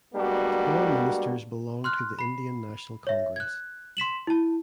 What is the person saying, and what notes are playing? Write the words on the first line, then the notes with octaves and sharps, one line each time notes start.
All ministers belonged to the Indian National Congress.
G3 G#3 A#3 B3 D4 F#4
C6 F6 F#6
B5 C7
C#5 E5
F#6 G#6
C6 B6 E7 F#7
E4 A5